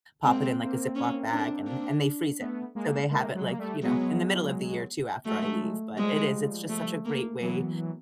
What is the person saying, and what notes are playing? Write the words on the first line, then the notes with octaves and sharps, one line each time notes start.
pop it in, like, a Ziploc bag and and they freeze it. So, they have it, like, you know, in the middle of the year too after I leave, but it is it's just such a great way
G#3 A#3 C4
A#3 C4
C#4
D4
D4
A3 B3
G#3 A#3
G#3 A#3
F#3 G#3
A#3
G3 A3
F#3 G#3 B3
F#3 G#3 A3
F#3
F3 G3 G#3
A3
A#3
E3 F#3 B3